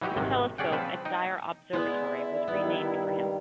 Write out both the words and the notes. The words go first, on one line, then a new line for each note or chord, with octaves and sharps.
The telescope at Dyer Observatory was renamed for him.
E3 F#3 D#4 F#4 G4
G#1 C3 D#3 G#3
C#4 G#4 D5 F#5 G5
F3 C4 B4 A5
D#4 G5
G#3 B3 E4 D5
G2 D#3 G3 B3